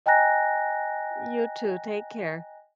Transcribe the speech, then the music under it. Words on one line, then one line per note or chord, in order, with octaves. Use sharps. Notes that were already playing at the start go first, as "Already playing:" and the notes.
You too. Take care.
D#5 G5 G#5 A#5 F#6 A#6